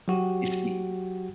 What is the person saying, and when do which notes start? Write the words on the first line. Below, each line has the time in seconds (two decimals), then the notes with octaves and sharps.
you see
0.08 F#3 F#4 G4